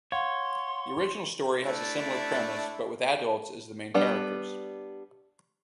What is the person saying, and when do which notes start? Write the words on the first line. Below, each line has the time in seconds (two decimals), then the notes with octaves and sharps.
The original story has a similar premise, but with adults as the main characters.
0.12 C#5 F5 F#5 C6
1.63 A3 D4 E4
3.94 G3 B3 D4